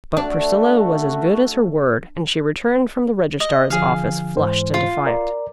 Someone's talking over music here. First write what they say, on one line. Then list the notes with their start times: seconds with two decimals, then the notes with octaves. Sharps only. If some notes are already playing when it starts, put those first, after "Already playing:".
But Priscilla was as good as her word, and she returned from the registrar's office flushed and defiant.
0.17 A3 D4 F#4
3.40 D#5
3.70 D3 F3 G#4 F5
4.37 G#2 E3 C5
4.74 F4
5.06 A#4 D5